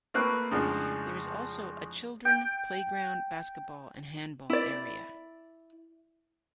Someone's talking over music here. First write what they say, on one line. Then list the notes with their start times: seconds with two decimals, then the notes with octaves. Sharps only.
There is also a children playground, basketball and handball area.
0.14 A3 A#3 C4 B4 C#6 F#6
0.51 F2 A2 C#3 F3 G#3 D4
2.25 G5
4.50 E4 D5